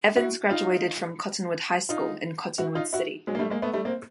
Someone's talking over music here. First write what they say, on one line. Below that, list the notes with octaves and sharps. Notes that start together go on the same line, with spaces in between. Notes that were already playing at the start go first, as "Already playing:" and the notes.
Evans graduated from Cottonwood High School in Cottonwood City.
E4 F#4
D#4 F4
D#4 F4
E4 F#4
D#4 F4
E4 F#4
F#3 G#3
A#3
G3 A3
G#3 A#3
A3 B3
G3 A3
A#3 C4